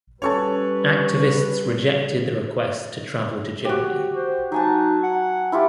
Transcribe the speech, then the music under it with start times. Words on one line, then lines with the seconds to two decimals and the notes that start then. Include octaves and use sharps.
Activists rejected the request to travel to Germany.
0.22 G3 C#4 A4 B4 C#5 A5 C#6
3.65 F#4 G4
4.16 C5
4.52 F#3 D#4 G#5 A5
5.03 F#5
5.52 E4 F4 G4